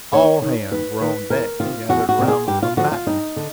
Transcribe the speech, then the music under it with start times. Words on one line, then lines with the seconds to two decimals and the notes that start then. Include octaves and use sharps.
All hands were on deck, gathered around the combatants.
0.13 D#2 C#5
0.42 D#3
0.71 D#2 B4
1.01 D#3 B4
1.30 E2 A#4
1.60 C3 D#3 F4
1.89 E2 F#4
2.09 F#4
2.19 C3 D#3
2.28 G#4
2.48 G2 G4
2.62 F4
2.77 D3 F3 F#4
2.92 F4
3.07 G2 D#4
3.36 D3